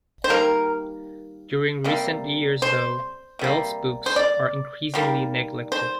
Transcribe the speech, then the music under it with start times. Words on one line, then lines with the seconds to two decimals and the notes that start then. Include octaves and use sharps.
During recent years though, Bell's books are increasingly neglected.
0.24 C5
0.29 D#3 G3 A#3 A#4
1.84 C3 G3 A#3
2.62 C5
3.39 C3 G3 A#3
4.06 C5
4.16 D5
4.94 D#3 G3 A#3
5.72 C5